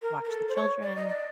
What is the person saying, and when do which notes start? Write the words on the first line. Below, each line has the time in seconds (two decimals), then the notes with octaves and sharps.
to watch the children
0.02 A#4
0.25 A#4
0.29 A4
0.49 C5
0.55 C#5
0.83 D5
0.96 D#5
1.08 D5